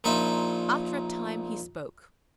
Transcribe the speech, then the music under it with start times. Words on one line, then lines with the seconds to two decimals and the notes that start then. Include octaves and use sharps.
After a time he spoke.
0.04 A#1 A#2 D#4 E5 B5